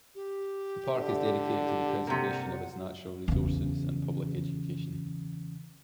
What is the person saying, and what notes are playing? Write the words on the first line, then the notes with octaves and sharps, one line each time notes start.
The park is dedicated to the preservation of its natural resources and public education.
G4
D3
C3 G3 A#3 F#5
E2 C#3